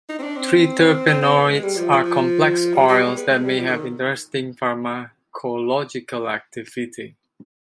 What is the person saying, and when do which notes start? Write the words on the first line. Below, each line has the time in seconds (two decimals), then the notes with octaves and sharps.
Triterpenoids are complex oils that may have interesting pharmacological activity.
0.09 D#4
0.19 C4
0.23 D4
0.37 C4
1.06 C4
1.21 C4
1.34 B3
1.49 G#3
1.63 G3
1.76 F3
1.91 F3
2.04 F3
2.75 G3
2.88 G3
3.03 G#3
3.17 B3
3.30 G#3
3.44 G3
3.58 F3
3.67 D3
3.72 D#3